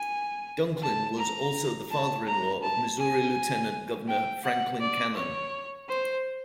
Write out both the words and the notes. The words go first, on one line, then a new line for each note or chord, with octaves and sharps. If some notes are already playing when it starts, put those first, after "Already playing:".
Dunklin was also the father-in-law of Missouri Lieutenant Governor Franklin Cannon.
Already playing: G#5
A5
A#5
A5
A#5
A5
G#5
G5
F#5
D5
C#5
C5